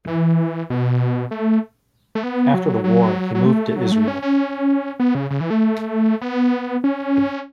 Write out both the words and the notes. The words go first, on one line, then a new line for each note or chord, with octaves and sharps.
After the war he moved to Israel.
E3
B2
A3
A3
B3
F#3
F#3
F#3
A3
F#3
A3
C#4
C#4
B3
C#3
C#3
E3
A3
B3
C#4